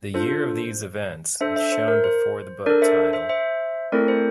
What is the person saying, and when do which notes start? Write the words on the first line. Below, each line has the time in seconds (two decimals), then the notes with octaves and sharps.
The year of these events is shown before the book title.
0.14 D4 F4 A4 C5
1.41 D4 A4 C5 E5
1.56 C5 E5
1.72 C5
1.88 A#4
2.04 C5
2.66 D4 A4 A#4 D5
2.82 C5 E5
3.13 C5 E5
3.29 C5 E5
3.92 A3 C4 E4 A4 A#4 D5
4.08 C5